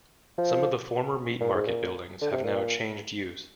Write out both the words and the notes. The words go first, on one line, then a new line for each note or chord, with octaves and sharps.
Some of the former meat market buildings have now changed use.
F3
A#2
G#2
A#2
D3
C3
A#2